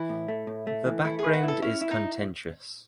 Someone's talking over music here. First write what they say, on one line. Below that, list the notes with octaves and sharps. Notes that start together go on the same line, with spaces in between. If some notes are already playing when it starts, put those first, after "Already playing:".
The background is contentious.
Already playing: E3 E4
A2
A3
A2
A3
E3
A3 E4
G#4
B4
F#4
E4 A4
C#4 E4
E4
D#4